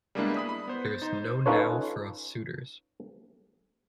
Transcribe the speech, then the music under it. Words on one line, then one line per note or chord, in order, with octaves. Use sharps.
There's no now for us suitors.
G3 G#3 A#3 B3 D4 E4
B5 D#6 B6
B5
B3 C5
A6
D#4 C5
C#4 D#4 F4 A4 B4 C#5